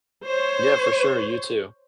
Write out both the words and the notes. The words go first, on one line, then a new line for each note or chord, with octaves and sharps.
Yeah, for sure, you too.
C5 C#5